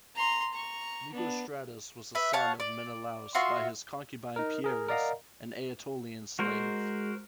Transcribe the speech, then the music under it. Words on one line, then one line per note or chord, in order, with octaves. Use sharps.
Nicostratus was a son of Menelaus by his concubine Pieris, an Aetolian slave.
A#5 C6
A#5 C#6
B3 D4
B4 E5
C#5 F5 F#5 A5
D5
F4 F#4 E5 C6
D#4 A#4
G#4 A#4
A#4 D5 D#5 F5 F#5 A#5
G#3 F#4 A#4 C5